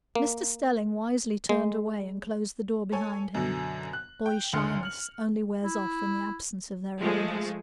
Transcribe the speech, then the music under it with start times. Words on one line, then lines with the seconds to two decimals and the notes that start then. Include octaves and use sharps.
Mr. Stelling wisely turned away, and closed the door behind him; boys' shyness only wears off in the absence of their elders.
0.15 A#3
1.49 G#3
2.92 A4 C#5 G#5
3.34 F#2 B2 D3 F#3
3.93 F#6
4.26 G5
4.53 F#1 D2 D3 C6 F6 C#7
4.83 F6 F#7
5.64 E4
6.99 F3 G#3 A3